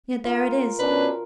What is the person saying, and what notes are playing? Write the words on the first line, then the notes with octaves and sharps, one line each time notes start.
Yet there it is.'
F4 A#4
B2 C#4 D4 B4